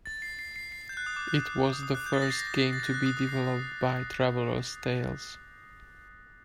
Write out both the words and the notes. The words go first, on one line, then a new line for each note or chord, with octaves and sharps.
It was the first game to be developed by Traveller's Tales.
A6
C7
C7
C7
C7
G6
F#6
D#6
D6
F#6
D#6
D#6
F#6
G6
A6
A#6
C7
A#6
A6
F#6
F#6
D#6
D#6
C7